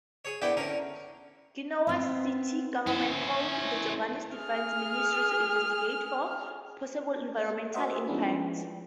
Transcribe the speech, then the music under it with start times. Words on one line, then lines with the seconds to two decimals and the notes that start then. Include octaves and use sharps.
Ginowan city government called the Japanese defense ministry to investigate for "possible environmental impacts".
0.25 G#4 C#5
0.42 A#1 B3 E4 D5 G5
0.57 D3 C#4 A#4
1.87 B3 C4
2.87 C#4 E4 C5
4.37 G#4 F6
7.74 F#4 A#4 C5 D#5 E5 F#5
8.07 F3 G#3 B3 C#4 D4 E4